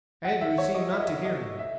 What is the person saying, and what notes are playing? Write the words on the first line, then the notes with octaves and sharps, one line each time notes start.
Andrews seemed not to hear him.
F#5
E5
C#5
D#5
E5
D#5
E5
D#5
E5